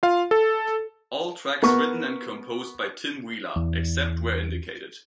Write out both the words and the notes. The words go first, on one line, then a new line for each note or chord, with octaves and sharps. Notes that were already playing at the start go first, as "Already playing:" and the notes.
All tracks written and composed by Tim Wheeler; except where indicated.
F4 F5
A4
B3 A#4 C#6
E2